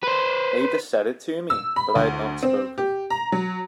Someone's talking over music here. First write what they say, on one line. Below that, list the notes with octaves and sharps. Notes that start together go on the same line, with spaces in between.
Ada said it to me, but I had not spoken.
B4 C5
E6
B5
D2
C4
G4
A#5
F#3